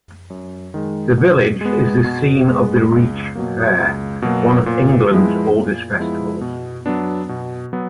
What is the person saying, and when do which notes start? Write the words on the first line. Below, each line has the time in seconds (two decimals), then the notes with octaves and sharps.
The village is the scene of the Reach Fair, one of England's oldest festivals.
0.30 F#2
0.74 D#3 G#3
1.18 B2
1.61 G#3 B3
2.04 B2
2.48 G#3 B3
2.92 C#2
3.35 B2 F#3 A#3
3.80 C#2
4.22 B2 F#3 A#3
4.66 A#2
5.11 F3 G#3 B3 E4
5.53 A#2
5.97 F3 G#3 B3 E4
6.41 B2
6.86 F#3 B3 D4
7.29 B2
7.73 F#3 B3